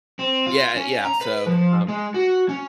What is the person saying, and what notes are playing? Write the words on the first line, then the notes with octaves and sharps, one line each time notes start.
Yeah, eh yeah, so, um
C4
F4
C#4
A#5
B4
F3
G#3
F#4
C#4